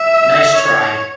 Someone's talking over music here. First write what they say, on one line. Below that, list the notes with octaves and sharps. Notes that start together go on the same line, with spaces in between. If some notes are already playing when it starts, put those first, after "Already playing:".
Nice try!
Already playing: E5
C#5